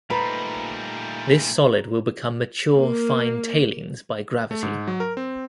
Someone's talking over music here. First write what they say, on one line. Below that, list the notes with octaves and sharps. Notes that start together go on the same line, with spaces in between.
This solid will become mature fine tailings by gravity.
A#2 G3 A3 D#4 B4 C5 A#5
A#3
A3
G#2
F#3
A#4
C4